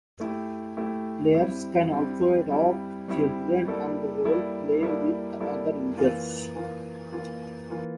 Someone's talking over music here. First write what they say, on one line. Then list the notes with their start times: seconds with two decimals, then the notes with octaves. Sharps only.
Players can also adopt children and roleplay with other users.
0.20 A3 E4 G4
0.77 A3 E4 G4
1.35 G3 C4 E4
1.92 G3 C4 E4
2.50 G3 C4 E4
3.08 G3 C4 E4
3.65 G3 A#3 E4 A4 D5
4.24 G3 A#3 E4 A4 D5
4.81 G3 A#3 E4 A4 D5
5.40 G3 A#3 E4 A4 D5
5.97 E3 A#3 F4
6.55 E3 A#3 F4
7.12 E3 A#3 F4
7.70 E3 A#3 F4